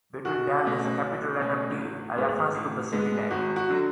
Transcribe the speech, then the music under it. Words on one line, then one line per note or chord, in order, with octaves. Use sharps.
Between them is the capital letter B, a reference to the city name.
B1 F#4
B2 A3 C#4
B1
B2 A3 C#4
A1
G#2 G#3 B3
A1
G#2 G#3 B3
G#1 F#4
F#4
D3 F#3